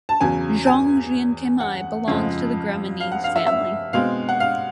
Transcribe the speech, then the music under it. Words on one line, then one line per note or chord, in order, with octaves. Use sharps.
Zhongjianquemai belongs to the graminease family.
A5
E2 C#3 F#3 G#5
G#5
F#5
F2 C#3 F3 G#3
F5
F#5
F5
E5
E5
B2 G#3 C4 F5
F#5
F5